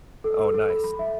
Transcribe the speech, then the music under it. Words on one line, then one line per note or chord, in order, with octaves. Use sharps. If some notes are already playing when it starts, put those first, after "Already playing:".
Oh, nice.
A4
A4
A4
B5
B5
E5